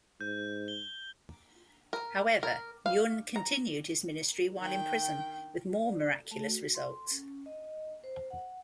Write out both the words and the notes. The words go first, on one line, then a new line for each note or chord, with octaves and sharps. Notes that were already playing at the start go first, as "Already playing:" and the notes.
However, Yun continued his ministry while in prison, with more miraculous results.
G#2 G6
G7
A#4
A#4
F5
A#5
D#3 G5
D5
A3
F#4
C6
C#4
D#5
C5
F#5